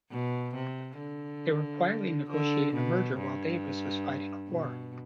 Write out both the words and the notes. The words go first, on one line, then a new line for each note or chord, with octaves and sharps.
They were quietly negotiating a merger while Davis was fighting a war.
B2
C3
D3
D3
B2
G2
B2